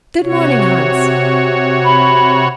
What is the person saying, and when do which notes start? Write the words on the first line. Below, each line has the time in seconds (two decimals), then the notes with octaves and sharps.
'Good morning, Hans.
0.22 C3 F#4 C#5
1.84 B5